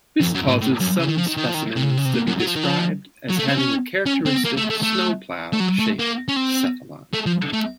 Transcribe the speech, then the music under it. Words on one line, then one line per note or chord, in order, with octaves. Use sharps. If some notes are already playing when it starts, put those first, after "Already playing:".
This causes some specimens to be described as having a characteristic "snowplow" shaped cephalon.
F2
F#2
A2
A2
F#2
C#3
D#3
F3
D#3
D#3
F3
D#3
C3
C#3
C3
C#3
C3
A#2
F#2
F#3
F3
D#3
F3
F#3
A3
C4
C#4
C#4
C4
A#3
A3
A3
A3
A3
F#3
A3
A#3
C#4
C4
A3
F3
A3